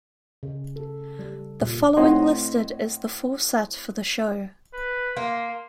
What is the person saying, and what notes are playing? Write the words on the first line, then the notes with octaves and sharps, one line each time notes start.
The following listed is the full set for the show.
C#3
A4
G3
A#2
A2 C4 C#5 D#5 F#5 C6
B4
A#3 C6